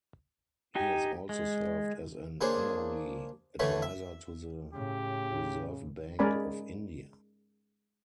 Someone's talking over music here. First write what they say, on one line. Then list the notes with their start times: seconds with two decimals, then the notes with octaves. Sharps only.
He has also served as an honorary advisor to the Reserve Bank of India.
0.75 D#4 G4 G#5
1.29 G#3
2.41 A#3 D4 G#4 C5 C#5
3.59 D3 E3 A3 C#5 B5
3.82 E5
4.73 A2 C#3 G4
6.19 G#3 C#4 A#4 D5 G#5 B5